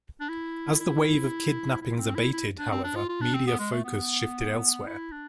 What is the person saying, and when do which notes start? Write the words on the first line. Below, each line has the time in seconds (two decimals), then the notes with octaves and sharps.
As the wave of kidnappings abated, however, media focus shifted elsewhere.
0.21 D4
0.29 E4
0.81 E4
1.82 E4
1.98 C4
2.15 E4
2.33 E4
2.59 D4
2.71 C4
2.84 D4
2.96 F4
3.09 F4
3.22 D4
3.34 C4
3.47 B3
3.59 G#3
3.72 A3
3.85 B3
4.87 E4
5.12 D4